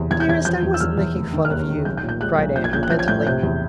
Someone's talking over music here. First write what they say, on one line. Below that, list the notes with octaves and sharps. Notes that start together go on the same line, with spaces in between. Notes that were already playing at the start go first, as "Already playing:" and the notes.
"Dearest, I wasn't making fun of you," cried Anne repentantly.
Already playing: E2 C3
E2 G#6
G6
E2 G#6
F3 G6
E2
E6
E2 F6
E2
F1
D#3
F6
D#2 F#6
D#3
B1 G6
G6
A#2
G6
G#3 F#6
B1
A#1 G6
G#6
A#1 G6
F#6
F3 G6
G#6
A2 G6
C3 G6
E2